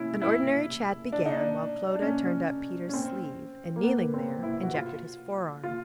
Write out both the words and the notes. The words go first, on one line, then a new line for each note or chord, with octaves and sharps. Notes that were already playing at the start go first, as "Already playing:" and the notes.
An ordinary chat began, while Clodagh turned up Peters' sleeve, and, kneeling there, injected his fore-arm.
Already playing: C#4 E4
E4
D4
D#4
D4
D4
C#4
C#4
C4
A#3
B3
C4
E4
F#4
F4
F4